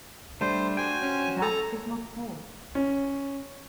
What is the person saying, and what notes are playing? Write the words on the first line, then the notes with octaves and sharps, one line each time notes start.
That is not all.
G3 A3 D4 C5
F#4 C5 G5 G#5
C#4
A4 A#5
C#4